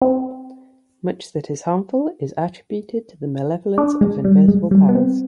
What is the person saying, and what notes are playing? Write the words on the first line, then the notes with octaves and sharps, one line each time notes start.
Much that is harmful is attributed to the malevolence of invisible powers.
C4
D4
G#3
G3
G#3
G3
B3
C4